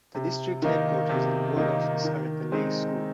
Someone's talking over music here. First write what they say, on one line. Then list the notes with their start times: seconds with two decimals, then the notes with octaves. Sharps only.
The district headquarters and board office are at the Leigh School.
0.15 C3
0.62 D#3 A#3 D#4
1.09 C3
1.57 D#3 A#3 D#4
2.04 D#3
2.52 G#3 C4 D#4